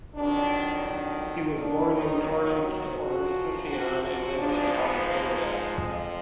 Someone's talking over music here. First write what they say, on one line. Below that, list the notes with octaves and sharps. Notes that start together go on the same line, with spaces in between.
He was born in Corinth or Sicyon, and lived in Alexandria.
F2 D#3 F#3 D4
D4
F4
D#2 D#3 F#3 D4
D#4
F4
F#4
F#2 F3 F#4
F#4
F#4
G#2 F3 D4
B3
A#3
G#3
F2 F3